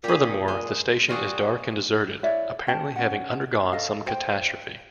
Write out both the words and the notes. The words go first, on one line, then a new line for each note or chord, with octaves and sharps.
Furthermore, the station is dark and deserted, apparently having undergone some catastrophe.
A#2 G4 G#4
G#3
G3 F4 F#4 G#4
E4 C#5 D5 E5
C#4 G5 A5
C#4 F#5
A4 D#5 F5
C5 G5